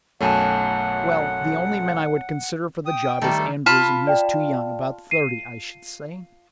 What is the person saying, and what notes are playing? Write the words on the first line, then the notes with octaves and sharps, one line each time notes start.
"Well, the only man I would consider for the job is Andrews and he is too young--about thirty, I should say."
B1 F#2 A3 C#5 F#5 G#5 A5
G5 D#6
D#3 G3 A3 A#3 A4
F4 A5 B5
D5 G5
C7 D#7